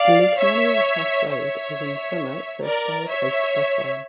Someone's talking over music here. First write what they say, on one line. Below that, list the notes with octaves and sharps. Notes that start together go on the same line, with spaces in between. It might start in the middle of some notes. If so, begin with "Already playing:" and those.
The Lukmanier pass road is in summer served by a post bus line.
Already playing: D5 F5
C#5 E5
C#5 E5
A#4 D5
C#5 E5